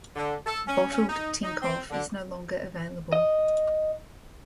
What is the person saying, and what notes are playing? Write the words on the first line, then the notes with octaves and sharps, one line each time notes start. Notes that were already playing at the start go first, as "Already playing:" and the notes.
Bottled Tinkoff is no longer available.
D3
A4
C#4
C#4
D#4
D#4
C4
D3
D#5